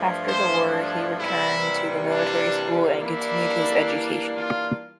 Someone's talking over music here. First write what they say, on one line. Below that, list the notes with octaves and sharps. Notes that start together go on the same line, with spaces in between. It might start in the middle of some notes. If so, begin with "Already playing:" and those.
After the war he returned to the Military School and continued his education.
Already playing: G2 F3 A3
C5
D4
C3 E3 G3 A#3 E4
D4
E3 G3 A#3 D4 E4
F4